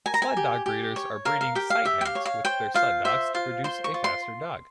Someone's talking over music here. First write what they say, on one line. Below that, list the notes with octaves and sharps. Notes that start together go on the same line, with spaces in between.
Sled-dog breeders are breeding sighthounds with their sled dogs to produce a faster dog.
A#4 G#5
A#5
G#5
G4
G4
C#5
A#4 F5
F5
G4 G5
F5
G4 E5
G5
F5
C#5
F5
C5 G5
F4 F5
C5 E5
F4 F5
C5 C6
C#6
F4
C6